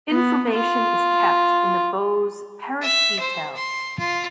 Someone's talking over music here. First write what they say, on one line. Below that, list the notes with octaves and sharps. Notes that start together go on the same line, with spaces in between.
Information is kept in the Bowes parish details.
B3
F4
E5
C5
C6
F4